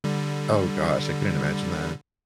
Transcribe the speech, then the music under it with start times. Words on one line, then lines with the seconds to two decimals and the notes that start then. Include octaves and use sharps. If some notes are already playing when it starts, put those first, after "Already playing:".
Oh gosh, I couldn't imagine that.
0.04 D3 G3